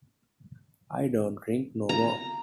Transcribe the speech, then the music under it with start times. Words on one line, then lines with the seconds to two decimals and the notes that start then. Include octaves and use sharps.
I don't drink no more.
1.89 A#5